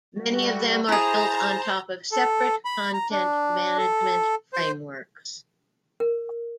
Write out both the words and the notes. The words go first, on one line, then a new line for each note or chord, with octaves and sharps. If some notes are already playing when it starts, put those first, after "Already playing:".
Many of them are built on top of separate content management frameworks.
G3 A3 F#4
E4 G#4 C5 A5 A#5
A4
B5
A#5
D4
A4
C5
A#4